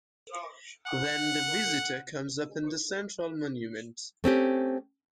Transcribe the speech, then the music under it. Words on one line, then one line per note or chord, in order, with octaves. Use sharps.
Then the visitor comes upon the central monument.
F#5
A3 C4 C#4 G4